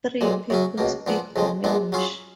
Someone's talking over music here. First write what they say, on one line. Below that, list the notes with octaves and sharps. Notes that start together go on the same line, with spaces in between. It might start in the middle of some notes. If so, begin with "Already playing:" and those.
Three people speak Romansh.
B1 A#2 G#3
F#2 C#3 F#3 C#4
C#2 B2 A#3
A#2 F3 B3
F2 C#3 F3 G#3
A#1 A#2 F3 G#3 B3
F#3 C#4 F4 G#4